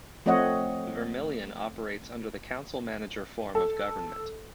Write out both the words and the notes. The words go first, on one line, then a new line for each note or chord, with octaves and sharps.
Vermillion operates under the council-manager form of government.
F3 A3 C4 C#5 D#5 F#5
A4